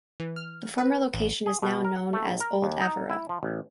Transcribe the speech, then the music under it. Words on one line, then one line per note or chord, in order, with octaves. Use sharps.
The former location is now known as Old Avera.
E3
F6
B4
A1
G#4
B2
A#4
F#5
A3
A#1
A#4
D#2
D#4
E4
F3
A1